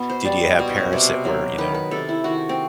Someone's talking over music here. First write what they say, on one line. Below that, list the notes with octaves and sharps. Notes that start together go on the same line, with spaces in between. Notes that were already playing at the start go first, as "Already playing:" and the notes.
Did you have parents that were, you know,
Already playing: B2 B3
C5
G3
B2
C3
F#3
D#3 B4
B4
C3 A4
E4
D#3 F#4
C4